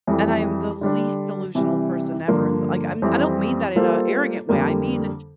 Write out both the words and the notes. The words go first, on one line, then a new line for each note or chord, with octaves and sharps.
and I am the least delusional person ever in the like, I'm I don't mean that in a arrogant way. I mean,
F2 E3 G3
D3 G3 D4
C3 E3 G3
G2 D3 F3 A#3
F2 E3 G3 C4 E4
G3 A#3 F4 A4 C5
F2 D3 G3 A#3